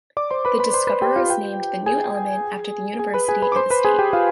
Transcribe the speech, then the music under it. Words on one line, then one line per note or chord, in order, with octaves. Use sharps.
The discoverers named the new element after the university and the state.
D5 D6
C5 C6
B4 B5
B4 B5
C5 C6
B4 B5
G4 G5
F4 F5
G4 G5
G#4 G#5
G#4 G#5
B4 B5
G#4 G#5
B4 B5
D6
C5 C6
B4 B5
G#4 G#5
G4 G5
F4 F5